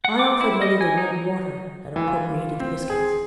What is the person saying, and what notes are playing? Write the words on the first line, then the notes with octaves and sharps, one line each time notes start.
I offered mother the warm water, and appropriated the biscuits.
F#5
D6
E4
D#5
G#5
D#4
E3
F4
C4
G#4